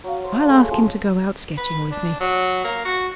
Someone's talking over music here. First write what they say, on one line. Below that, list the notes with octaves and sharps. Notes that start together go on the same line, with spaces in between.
'I'll ask him to go out sketching with me.
F#3 F5
C5
A3 G#4
C#3 F3 G#3 G#5
B4
D4
F#3
A#3
F#4